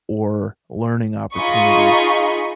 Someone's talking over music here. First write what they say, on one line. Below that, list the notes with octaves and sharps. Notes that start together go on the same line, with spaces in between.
or learning opportunity
D#4 F4 G#4 D#5 B5 C#6